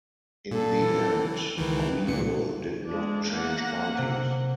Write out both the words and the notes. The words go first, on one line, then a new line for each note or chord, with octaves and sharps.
In the end, Grewal did not change parties.
A#2 A4
E3
C#2 D#3 E3 B4
C#2 A#2 C#7
G#3 D4
A#3 F#5
C3